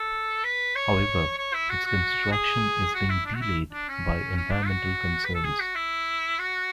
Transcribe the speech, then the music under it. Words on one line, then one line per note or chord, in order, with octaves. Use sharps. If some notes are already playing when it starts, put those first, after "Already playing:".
However, its construction is being delayed by environmental concerns.
Already playing: A4
B4
C#5
C#5
E4
F#4
F#4
G#4
F#4
E4
D4
F#4
E4
D4
C#4
C#4
D4
F#4
B4
A4
G#4
F#4
E4
F#4